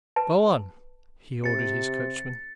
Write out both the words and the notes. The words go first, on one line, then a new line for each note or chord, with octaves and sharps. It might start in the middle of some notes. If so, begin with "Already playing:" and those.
"Go on!" he ordered his coachman.
B4 A5
C3 A6 C#7